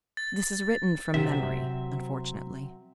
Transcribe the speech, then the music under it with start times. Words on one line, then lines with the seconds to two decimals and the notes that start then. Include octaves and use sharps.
This is written from memory, unfortunately.
0.17 A6
1.14 C3 F#3 C4 E5